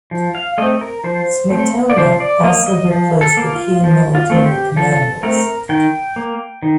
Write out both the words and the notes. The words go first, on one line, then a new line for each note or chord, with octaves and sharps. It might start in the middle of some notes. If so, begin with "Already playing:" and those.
Smetona also replaced the key military commanders.
F3
F5
A3 C4 D#5
A#4
F3 C5
A3 C4
D5
F3 C5
D5
A#3 D#5
D#5
F3
A4
A#3
F4
F3
F4
A3 C4
G4
F3 A4
A3 C4 A#4
D#3 G5
A#3
D#3